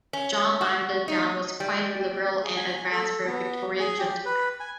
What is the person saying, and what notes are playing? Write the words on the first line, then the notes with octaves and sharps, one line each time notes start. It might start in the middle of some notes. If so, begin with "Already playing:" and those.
John Langdon Down was quite liberal and advanced for a Victorian gentleman.
C#4
F#4
D#4
G3
G#4
G#5
A4
B3
G#4
G4
B4
G#5